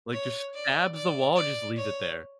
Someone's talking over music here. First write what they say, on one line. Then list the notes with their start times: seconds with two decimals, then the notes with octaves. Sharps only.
Like, just stabs the wall and just leaves it there,
0.13 C#5
0.54 D5
0.95 D5
1.36 D5
1.77 C#5